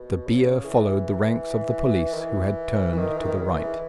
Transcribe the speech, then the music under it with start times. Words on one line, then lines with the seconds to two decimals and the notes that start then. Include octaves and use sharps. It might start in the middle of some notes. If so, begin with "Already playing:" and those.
The bier followed the ranks of the police, who had turned to the right.
Already playing: B2
0.27 C#3
0.65 E3
2.13 D#3
2.20 E3
2.92 E3
2.98 D#3
3.17 E3
3.24 D#3
3.35 C#3
3.42 D#3
3.49 E3